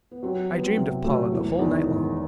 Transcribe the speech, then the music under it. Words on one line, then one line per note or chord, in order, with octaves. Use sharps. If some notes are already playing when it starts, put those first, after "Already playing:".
I dreamed of Paula the whole night long.
B3
F#3 C4
F#3 B3
C4
C3 C4
F#3 A3
E1 E3
E2 D#3
E1